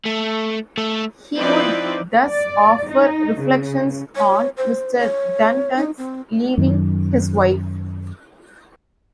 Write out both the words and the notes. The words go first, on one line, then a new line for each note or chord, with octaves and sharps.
He would thus offer Reflections on Mr. Dunton's leaving his wife.
A3
A3
F3 C4 D#4 E4 B4 D5
D5
D#4
C#3
C#5
C5
C#5
D#4
C4
F#2 D#3